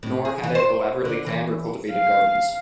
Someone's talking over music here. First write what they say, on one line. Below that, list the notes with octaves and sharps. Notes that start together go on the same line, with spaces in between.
Nor had it elaborately planned or cultivated gardens.
A2
G#4
E3
C5
D3
E3
F5